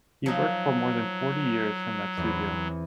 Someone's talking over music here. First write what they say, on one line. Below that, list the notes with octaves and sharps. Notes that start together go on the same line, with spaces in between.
He worked for more than forty years from that studio.
F3 F#3 D#4
E2 E3 C4